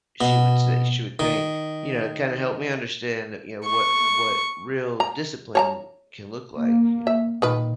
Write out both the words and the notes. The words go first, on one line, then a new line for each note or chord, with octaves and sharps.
she would say she would think, you know, it kinda helped me understand that, you know, what what real discipline can look like, you know?
B2
D#3
C#6
A#5
C#5 A5 A#5
A#3
E5
A#2 D#3 B4